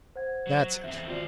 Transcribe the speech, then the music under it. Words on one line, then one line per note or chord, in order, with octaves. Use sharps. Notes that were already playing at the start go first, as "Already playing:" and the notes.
'That's it!
C5 F#5 G#6
F#3
E2 C4 E5
D#3 F4 F#4 C5 D5